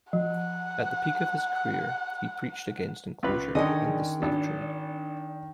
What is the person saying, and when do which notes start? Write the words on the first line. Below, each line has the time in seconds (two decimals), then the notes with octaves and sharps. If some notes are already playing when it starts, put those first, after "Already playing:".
At the peak of his career, he preached against enclosure and the slave trade.
0.13 F3 F#5
3.23 C#2 F4 B4
3.55 D3 D#3 C#4 G#4 D5 D#5 G#5
4.22 G#1 D4